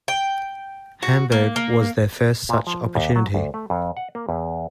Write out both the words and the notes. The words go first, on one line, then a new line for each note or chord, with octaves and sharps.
Hamburg was their first such opportunity.
G5
F#4
A#3
A#3
A#2
F3
D#2
F#3
D2
A3
F2
F#5
A#3
E2